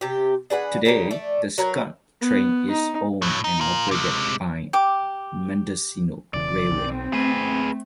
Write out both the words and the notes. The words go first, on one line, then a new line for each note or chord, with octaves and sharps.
Today the Skunk Train is owned and operated by Mendocino Railway.
C3 G4
D4 G#4 B4 F#5
C#3 G3 A#3 G4
A3 D5
F#3 A#4 B4
B3
D#4
A2 F#3
D#4
F4 A#4
C3 G#3
G4 D6
E1 C#3 E3 D5
B1 C4
A3 G#4 B4